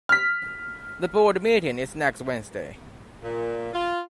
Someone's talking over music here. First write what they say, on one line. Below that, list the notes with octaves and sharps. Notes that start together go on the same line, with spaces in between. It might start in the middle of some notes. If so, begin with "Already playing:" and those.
The board meeting is next Wednesday.
F6 B6
A#2
F4